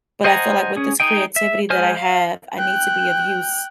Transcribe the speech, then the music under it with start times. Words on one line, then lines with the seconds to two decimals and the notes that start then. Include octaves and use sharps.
But I feel like with this creativity that I have, I need to be of use,
0.24 C5 D#5 F#5 G#5 A#5
0.77 C#4 G#4
1.00 D#4 G#4 D#5 G5
1.36 E5
1.70 G#3 C5 G#5 F6
1.97 F5
2.58 G5 F#6